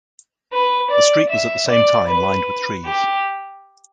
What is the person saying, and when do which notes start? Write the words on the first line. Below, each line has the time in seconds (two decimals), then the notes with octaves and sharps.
The street was at the same time lined with trees.
0.53 B4
0.92 D5
1.30 E5
1.69 D5
2.08 B4
2.86 G4